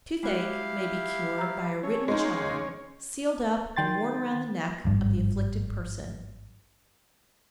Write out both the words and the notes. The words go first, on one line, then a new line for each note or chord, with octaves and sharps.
Toothache may be cured by a written charm, sealed up and worn around the neck of the afflicted person.
G#3 E4 F#4 G4 F5
A#5 E6
C#4 A4 C#5
G#3 D#4 F5 G#5 D6
D#3 G5 C6 A6
G#1 G2